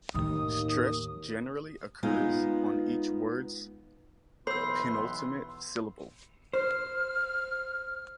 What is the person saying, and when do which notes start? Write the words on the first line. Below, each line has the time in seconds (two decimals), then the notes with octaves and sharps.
Stress generally occurs on each word's penultimate syllable.
0.14 D#2 A2 D#3 D#6
2.03 G#3 B3 D#4 F4
4.47 B1 E3 B3 C5 B5 C6 E6
6.53 C5 F6